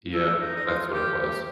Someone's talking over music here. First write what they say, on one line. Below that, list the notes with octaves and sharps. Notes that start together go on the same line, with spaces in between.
Yeah, that's what it was.
A4
D#4
D#4
F4
G4
G4